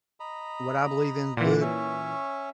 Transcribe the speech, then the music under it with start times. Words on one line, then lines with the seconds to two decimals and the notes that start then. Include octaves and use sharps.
What I believe in is good
0.20 D#5 A#5 B5
1.37 A#2 E3 F4 D5 F#5
1.61 C#4 C#5 E5